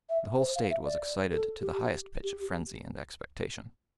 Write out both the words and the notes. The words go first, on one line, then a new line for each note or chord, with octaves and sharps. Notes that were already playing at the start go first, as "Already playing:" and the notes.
The whole State was excited to the highest pitch of frenzy and expectation.
E5
C5
F5
E5
D5
A4
G4
G4